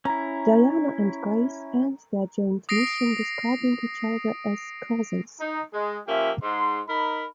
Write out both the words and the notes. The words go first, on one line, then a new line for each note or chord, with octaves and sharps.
Diana and Grace end their joint mission describing each other as cousins.
C#4 E4 A#5
D#6 A#6 C7 D7
D#4
G#3
F3 A#3 C#4 G4 E5
G#2 C6
D#4 A#4 B5